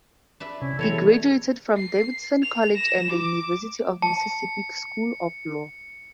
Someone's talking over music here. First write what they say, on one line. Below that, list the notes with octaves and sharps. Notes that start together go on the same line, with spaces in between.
He graduated from Davidson College and the University of Mississippi School of Law.
D4 B4 E5
C3 C#4 E4
B2 E3 G3 G#3 A4 C#5
C7
F7
A#6 E7
D6
A5 C#7